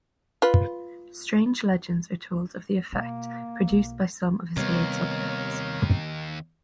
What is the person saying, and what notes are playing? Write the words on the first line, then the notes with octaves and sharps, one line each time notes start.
Strange legends are told of the effect produced by some of his weird subjects.
F4 B4
B2 A#3
B1
D#2 C3 G3 B3 A#4 C#5